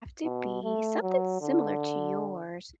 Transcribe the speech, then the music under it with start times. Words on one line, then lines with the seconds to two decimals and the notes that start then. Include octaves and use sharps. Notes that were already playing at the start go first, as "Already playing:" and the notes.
to be something similar to yours,
0.25 B2
0.64 A3
1.03 F#3
1.42 D3